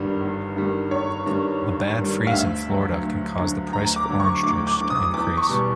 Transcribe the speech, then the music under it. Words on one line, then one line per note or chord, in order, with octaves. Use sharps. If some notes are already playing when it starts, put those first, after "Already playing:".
A bad freeze in Florida can cause the price of orange juice to increase.
Already playing: G1 G2 D#3 G3
G1
G2 D#3 G3
G1 C#5
G2 D#3 G3
G1
G2 D#3 G3
F5
D2 E5
D3 F#3
D2
D3 F#3
D2 A#5
D6
D3 F#3
C#6
D2 D6
D6
D3 F#3
D#6
E2 D6
C#6
B2 G3